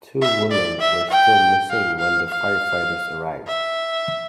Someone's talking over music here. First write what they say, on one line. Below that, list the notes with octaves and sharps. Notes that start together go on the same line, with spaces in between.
Two women were still missing when the firefighters arrived.
E5
D5
E5
G5
F5
F5
F5
E5